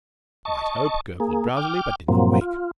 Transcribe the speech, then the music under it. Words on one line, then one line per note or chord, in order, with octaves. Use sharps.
The White Hope gurgled drowsily, but did not wake.
D#5 A5 C#6
A#3 G#4
G5 D6 F6
G2 A#2 F3 F#3 A#3 C4
F4